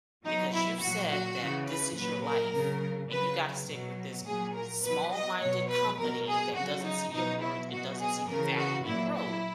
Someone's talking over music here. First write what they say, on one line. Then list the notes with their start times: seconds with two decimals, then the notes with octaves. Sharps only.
because you've said that this is your life and you gotta stick with this small-minded company that doesn't see your worth and doesn't see the value in growth,
0.25 B2 F#3 D#4
0.53 E4
0.81 A#2 F#3 F#4
1.10 F#4
1.39 C#3 E3
1.68 B4
1.96 A#2 F#3 B4
2.25 A#4
2.54 C#3 F#3
3.11 C#3 F#3 B4
3.69 B2 F#3
4.26 A#2 F#3 G#4
4.54 A#4
4.83 B2 F#3 B4
5.12 D#5
5.40 B2 F#3 C#5
5.69 B4
5.98 B2 F#3 A#4
6.27 G#4
6.55 C#3 F#3 F#4
6.84 D#4
7.12 B2 F#3 D#4
7.41 E4
7.70 B2 F#3 F#4
8.00 G#4
8.28 C#3 E3 A#4
8.57 F#4
8.85 A#2 F#3 E4
9.14 E4